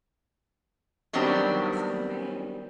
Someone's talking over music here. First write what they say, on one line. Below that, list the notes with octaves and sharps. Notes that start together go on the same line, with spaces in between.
Double-crossing him, eh?
D#3 F#3 G3 B3 C4 D4